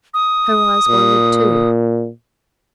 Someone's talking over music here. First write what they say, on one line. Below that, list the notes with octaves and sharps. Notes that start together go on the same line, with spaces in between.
Her eyes wandered too.
D#6
A#2